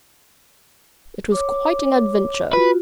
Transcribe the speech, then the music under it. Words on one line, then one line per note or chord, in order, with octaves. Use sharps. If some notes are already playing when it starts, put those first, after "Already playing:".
"It was quite an adventure."
C#5 D6
F4 F#4 B4